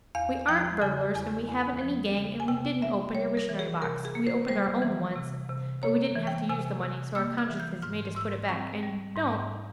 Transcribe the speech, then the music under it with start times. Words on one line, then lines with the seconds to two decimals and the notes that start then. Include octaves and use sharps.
We AREN'T burglars, and we haven't any gang, and we didn't open your missionary-box. We opened our own once, but we didn't have to use the money, so our consciences made us put it back and--DON'T!
0.15 E2 F5
0.48 F3 G5
0.82 C#3 G#5
1.15 E2 G#5
1.49 E2
1.81 F3
2.15 C#3
2.40 G#5
2.48 C3 G5
2.81 A#3 E5
3.15 G3 C#5
3.37 A#4
3.49 E3
3.59 G#4
3.82 C3 A#4
4.05 G#4
4.15 A#3
4.27 C5
4.48 G3 C5
4.82 E3
5.16 C3
5.49 C3
5.83 A#3 C#5
6.15 E3
6.27 G5
6.49 C3 G#5
6.83 C3
7.15 A#3 E6
7.38 F6
7.49 E3
7.60 G6
7.82 G#2 F6
8.15 G#2 E6
8.49 C4 C#6
8.83 G3
9.16 G#2